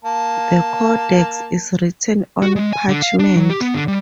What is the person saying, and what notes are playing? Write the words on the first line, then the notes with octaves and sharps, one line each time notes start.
The codex is written on parchment.
A#3 A5
F#4
G#3
G#5
D3
F5
D4
F#3
G4
B3
D3
G3